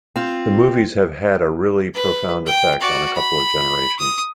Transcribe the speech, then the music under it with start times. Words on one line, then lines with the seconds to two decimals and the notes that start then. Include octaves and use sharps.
The movies have had a really profound effect on a couple of generations.
0.16 C4 F4
1.94 B4
2.46 G5
2.80 F#4 D5
3.15 B5
3.99 D#6